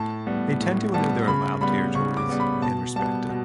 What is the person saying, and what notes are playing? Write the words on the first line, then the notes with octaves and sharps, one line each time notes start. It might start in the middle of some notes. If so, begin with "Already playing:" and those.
They tend to know their allowed territories and respect it.
Already playing: A2 A5
G3 B3
A2
G3 B3 A5
C#3 B5
G3 B3 B5
C#3 C#6
D6
G3 B3
B5
B2 A5
G3 B3 A5
B2